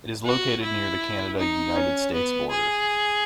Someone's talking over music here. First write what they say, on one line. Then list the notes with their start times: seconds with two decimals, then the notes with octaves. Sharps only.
It is located near the Canada-United States border.
0.25 F#4
0.63 E4
1.39 D#4
1.76 C#4
2.13 B3
2.50 G#4